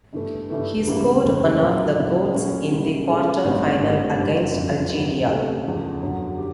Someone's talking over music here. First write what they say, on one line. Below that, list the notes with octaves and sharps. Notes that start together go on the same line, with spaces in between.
He scored one of the goals in the quarter final against Algeria.
G2 E3 A3
G2 E3 A3
C#2 C#3 E3 G3 A#3
F1 D#2 C#3
B1 A#2 F#3 A#3
C#3 F#3 B3 E4
A#2 F#3 A3 C#4 F#4
C#3 E3 G3 B3 E4
B2 G#3 C#4 F4 A4
A1 G2 D#3 G3 C4
A1 G2 E3 G3 C4
F#1 F#2 D3 G3
F2 D3 F3
D#2 C#3 F#3 B3 E4
D2 C3 E3 A3 C#4
E2 C#3 F3
F#2 D3 F#3
G4